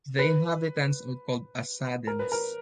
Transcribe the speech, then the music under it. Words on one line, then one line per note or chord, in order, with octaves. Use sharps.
The inhabitants are called "Assadins".
B4
A#4
B4
A#4